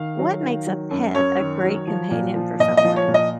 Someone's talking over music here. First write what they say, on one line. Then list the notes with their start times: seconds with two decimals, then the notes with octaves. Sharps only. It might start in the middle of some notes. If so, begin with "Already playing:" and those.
What makes a pet a great companion for someone?
Already playing: D#3 F5
0.19 F#3
0.43 D#3
0.67 F#3
0.91 F#2
1.15 F#2 C#5
1.39 D#3
1.63 F#3
1.87 F3
2.11 A#2
2.36 F3
2.60 A#2 D#5
2.77 D#5
2.84 F3
2.96 C#5
3.08 A#2
3.14 D#5